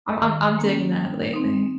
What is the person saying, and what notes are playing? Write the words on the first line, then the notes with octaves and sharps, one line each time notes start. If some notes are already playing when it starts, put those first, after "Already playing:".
I'm I'm I'm digging that lately.
D#3
A#3 C#4
G3
C4 D#4